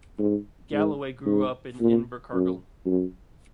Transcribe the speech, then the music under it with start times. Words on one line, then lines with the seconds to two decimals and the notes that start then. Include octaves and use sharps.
Galloway grew up in Invercargill.
0.19 G#2
0.72 G#2
1.26 G#2
1.80 A#2
2.34 F#2
2.86 F#2